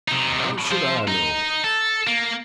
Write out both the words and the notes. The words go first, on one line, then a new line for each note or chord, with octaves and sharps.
'How should I know?
C3 D#4
F3 C5
D#4
A4
A#3